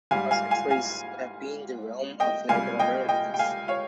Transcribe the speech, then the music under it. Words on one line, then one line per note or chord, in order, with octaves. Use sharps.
For centuries, it had been the realm of Native Americans.
G#2 G3 F5 G#5
F5 G#5
F5 G#5
F5 G#5
D#5 G5
C#2 C3 G3 F5 G#5
D#5 G5
D#5 G5
G5
F5 G#5
C#5 F5